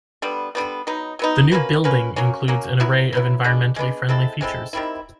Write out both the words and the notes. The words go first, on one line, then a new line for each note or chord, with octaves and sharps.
The new building includes an array of environmentally friendly features.
D3 G3 B3
D3 G3 B3
F#3 B3 D#4
F#3 B3 D#4
A#3 C#4 F#4 B4
A#3 C#4 F#4 B4
F#3 A#3 C#4
F#3 A#3 C#4
F#3 B3 E4
F#3 B3 E4
G#3 B3 D4
G#3 B3 D4
G#3 C4 E4 A4
G#3 C4 E4 A4
D#3 G3 C4 E4